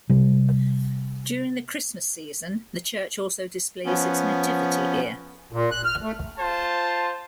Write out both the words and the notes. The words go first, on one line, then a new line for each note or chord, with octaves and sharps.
During the Christmas season, the church also displays its Nativity here.
C3 G3
F3 B3 C#4
A#2
F#6
F6
A3
F4 C5 A5